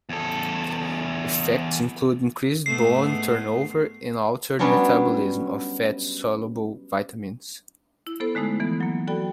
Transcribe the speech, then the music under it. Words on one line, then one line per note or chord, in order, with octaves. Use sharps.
Effects include increased bone turnover and altered metabolism of fat-soluble vitamins.
E2 A4
G#2 A3 B3 C7
F#3 G3 B3 C#4 D4 F#4
E4
B3 E4 A4 C5
D3 G#3 A3 D#4 E4
E3 F3 B3
F#3 A#3
F#4 A4 D5 G5 B5